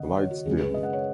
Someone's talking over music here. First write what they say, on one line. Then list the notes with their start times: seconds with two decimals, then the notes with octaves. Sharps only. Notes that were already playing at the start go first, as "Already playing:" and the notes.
The lights dim.
Already playing: D#2 C#3 D#5 F#5
0.17 C#5
0.31 F#4
0.45 F#2 C#3 G#3 G#4
0.59 B4
0.74 D#5
0.83 F#5
0.93 C#5